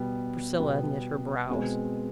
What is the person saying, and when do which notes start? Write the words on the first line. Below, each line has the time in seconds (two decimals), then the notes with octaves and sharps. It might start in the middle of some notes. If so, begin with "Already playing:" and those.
Priscilla knit her brows.
Already playing: B2 G3 B3
0.59 B2 G3 B3
1.49 B2 G#3 C4